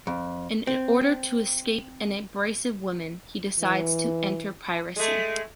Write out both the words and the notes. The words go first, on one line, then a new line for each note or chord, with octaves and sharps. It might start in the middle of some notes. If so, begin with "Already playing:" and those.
In order to escape an abrasive women, he decides to enter piracy.
F2
C4
E3
G#3 A3